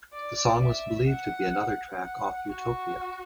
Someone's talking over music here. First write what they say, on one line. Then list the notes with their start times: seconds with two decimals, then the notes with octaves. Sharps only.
The song was believed to be another track off "Utopia".
0.13 D5
0.61 E5
1.08 F#5
2.01 F#5
2.48 F#4